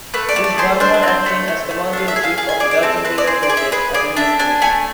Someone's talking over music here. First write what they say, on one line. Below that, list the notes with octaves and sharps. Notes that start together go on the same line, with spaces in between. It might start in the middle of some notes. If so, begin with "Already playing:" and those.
Prince Bernhard, acting as commander-in-chief of the Dutch Interior Forces, attended the meeting.
A3 B4
D5
A3
D5
G#4 C5
D4 C5
B4
C4 C5
A3
A3
A3
D4 F5
E5
G#4
F5
G#4 F5
G#5
G#4 D5
D5
C4 A4
C4 B4
D5
G#4 C5
D5
G#4
E5
G#4 B4
G#4 D5
D4 E5
D4 G#5
A3 G#5